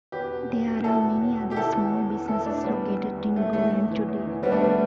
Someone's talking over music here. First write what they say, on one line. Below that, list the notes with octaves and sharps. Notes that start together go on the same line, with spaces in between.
There are many other small businesses located in Gulen today.
E2 G4 B4
B2
E2
B2
E2 E4 A4
B2
E2
B2
G4
E2 E4 A4
E3
E2
E3
E2 E4 A4
E3 A3 D4
E2 G3 B3
E3
E2
E3
E2 A3
E3 A3
E2 A3
E3
E2
E3
D2 G3 B3
A3 D4
D3 G3 B3
A3